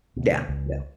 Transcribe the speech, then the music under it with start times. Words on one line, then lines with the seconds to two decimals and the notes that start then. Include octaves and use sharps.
Yeah, yeah.
0.16 D2 B2
0.49 C#2